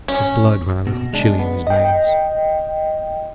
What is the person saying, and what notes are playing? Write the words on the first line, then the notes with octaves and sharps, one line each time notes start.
His blood ran a little chilly in his veins.
C#4
B2
G#3 D4
B3
D#5 G5